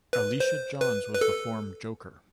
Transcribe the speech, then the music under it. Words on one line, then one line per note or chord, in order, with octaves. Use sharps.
Alicia Johns was the form joker.
B4
C5
B4
B4
A4